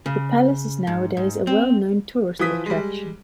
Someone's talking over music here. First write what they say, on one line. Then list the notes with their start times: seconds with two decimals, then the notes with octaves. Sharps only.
The palace is nowadays a well known tourist attraction.
0.06 C#3
0.87 G#2
1.17 G#2
1.47 C4
2.39 E3 F3 D#6 B6
2.66 G3 G#3